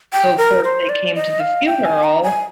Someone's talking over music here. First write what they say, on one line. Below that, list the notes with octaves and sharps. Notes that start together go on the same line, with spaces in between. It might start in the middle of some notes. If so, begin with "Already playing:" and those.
so of course they came to the funeral
G5
A#4
C5
D5
D#5
F5
G5
G#5
A#5
G#5